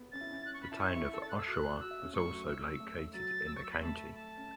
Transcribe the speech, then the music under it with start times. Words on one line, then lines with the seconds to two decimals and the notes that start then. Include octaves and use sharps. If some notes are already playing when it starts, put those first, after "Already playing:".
The Town of Oshawa was also located in the county.
Already playing: B3
0.12 C#4 A6
0.21 E4
0.31 C#4
0.46 F#6
0.54 C#6
0.62 B5
0.71 E4 A5
0.79 C#4 C#6
0.97 E4
1.13 A4 E6
1.22 A6
1.29 F#6
1.38 E6
1.46 F#4 F#6
1.79 F#4 E6
1.91 E5
2.02 C#4
2.13 A3 C#6
2.30 F#3
2.46 E6
2.80 A3
3.13 F#3 A6
3.47 E6
3.56 C#6
3.64 E6
3.72 B5
3.81 A3 A5
4.15 A5
4.37 C#4